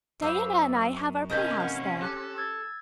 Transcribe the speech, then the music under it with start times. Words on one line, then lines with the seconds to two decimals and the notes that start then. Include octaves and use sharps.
Diana and I have our playhouse there.
0.22 F#2 C5 F5 B5 D6 E6
1.30 C3 C#4 D#4 A4 A#4 D#5 G6 B6
1.60 F5 F#5 C#6
2.02 G4 A4 F#6
2.36 E6 G#6 A6